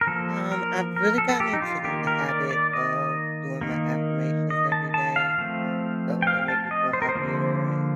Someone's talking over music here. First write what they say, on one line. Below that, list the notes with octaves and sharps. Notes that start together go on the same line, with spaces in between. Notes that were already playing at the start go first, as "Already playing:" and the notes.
Um, I've really gotten into the habit of doing my affirmations every day, um, so they make me feel happier and,
A#4
F3 A#3 A4
A#4
A#4
A4
A4
G4
D#4
F4
D#3 A#3 G4
A#4
D5
D5
D#5
D#3 A#3
D#5
A5
A5
F5
F3 A3 C4
G5
F5
A5
D#5
C5
A#4
C5
D3 F3 A#3